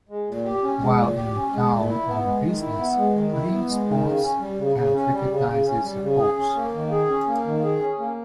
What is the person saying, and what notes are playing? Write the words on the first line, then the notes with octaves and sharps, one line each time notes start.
While in town on business, Clint spots and recognizes the horse.
G#3
A#2
G4
C#4
G#3
A#2
G4
C#4
G#3
A#2
E4
B3
G#3
D#3
E4
B3
G#3
D#3
E4
B3
G#3
D#3
C#3
C#4
G3
C#3
C#3
C#4
G3
C#3
C#3
C#4
G3
C#3
G#4
C#4
A#3
D#3
G#4
C#4
A#3
D#3
G#4
C#4
A#3